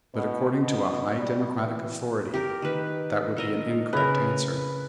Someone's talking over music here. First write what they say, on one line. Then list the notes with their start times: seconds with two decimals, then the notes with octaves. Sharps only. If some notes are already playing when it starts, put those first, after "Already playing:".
But, according to a high Democratic authority, that would be an incorrect answer.
0.14 B2
0.60 B2
1.18 G3
1.55 E3
2.34 G4 A#4
2.62 D#3 B4
3.37 A4 A#4 D#5
3.93 C#3 A#4 B4